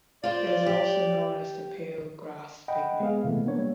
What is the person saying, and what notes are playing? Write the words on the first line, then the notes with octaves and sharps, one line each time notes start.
It is also known as the pale grass pygmy.
F4 C5 D5
G4
D#5 F#5 G5 B5
G#3 B3 G#4 F5
C3 E3 A3 B3
A#3 B3 D4 C#5
G3